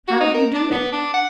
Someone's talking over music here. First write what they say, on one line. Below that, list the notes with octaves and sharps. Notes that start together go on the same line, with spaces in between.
How do you do it?
F#4
D#4
A#4
D4
B3
D4
F#5